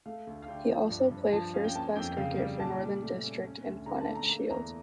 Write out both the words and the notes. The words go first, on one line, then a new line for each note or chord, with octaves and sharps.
He also played first-class cricket for Northern Districst in the Plunket Shield.
A3 F5
D2
F5
D3 G5
F3
G2
G2
F3 A5
C#4 F5
G5
A#3 A5
F2 G5
C#3 F5
G3
A#2 A5
A#2
A3
C#4
C#4
D2
D3 A#5
A5
A3
A#5
A#3 A#5
E2 A#5